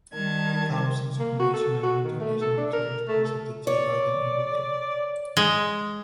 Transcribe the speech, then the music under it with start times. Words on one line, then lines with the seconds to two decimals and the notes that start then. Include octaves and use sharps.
Thousands of national and international tourists visit the tea garden everyday.
0.13 D#3 G3 A#4 A5 G#6
1.20 A#3
1.39 F#4
1.54 A4
1.83 F#4
2.04 D#3
2.20 A3
2.41 A4
2.57 D4
2.73 A#4
3.08 A3
3.24 A4
3.67 C#5 D5
5.37 G#3